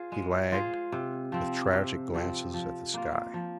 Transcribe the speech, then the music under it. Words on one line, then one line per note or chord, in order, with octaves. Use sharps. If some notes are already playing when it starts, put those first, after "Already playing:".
He lagged, with tragic glances at the sky.
Already playing: F4 G#4 C5
G#3
F4 G#4 C5
C3
F3 C4
C3
F3 C4
F3
A#3 F4
F3